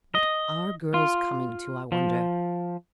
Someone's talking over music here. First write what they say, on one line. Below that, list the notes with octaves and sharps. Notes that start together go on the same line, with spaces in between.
'What are girls coming to, I wonder?
D#5
F4
F3